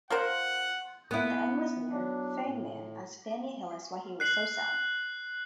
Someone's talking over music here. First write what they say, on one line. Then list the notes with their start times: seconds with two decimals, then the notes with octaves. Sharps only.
When the end was near, Feynman asked Danny Hillis why he was so sad.
0.10 F4 A#4 C5 F#5
1.11 B3 E4
1.90 F#3 D4
2.45 A2
4.20 F#6 C7 F#7